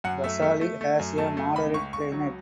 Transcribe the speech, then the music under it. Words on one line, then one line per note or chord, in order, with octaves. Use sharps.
Kasauli has a moderate climate.
F#2 F#5
A3 E5
A3
A3
A3
F#2
A3 A5
A3
C#2 B5
C#2 C#6
C#2 C#6
F#3